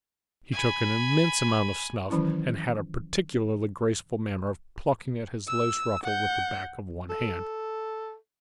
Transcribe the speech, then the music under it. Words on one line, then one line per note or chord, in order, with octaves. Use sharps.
He took an immense amount of snuff, and had a particularly graceful manner of plucking at his lace ruffle with the back of one hand.
G#5 B5
D#3 E3 F#3 C#4 E4
E6
F#5 G6
A4